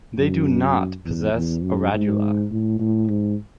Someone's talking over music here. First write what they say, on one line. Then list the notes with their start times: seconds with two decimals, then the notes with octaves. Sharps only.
They do not possess a radula.
0.17 F#2
1.05 E2
1.34 E2
1.63 F#2
1.93 G#2
2.51 A2
2.79 A2
3.09 G#2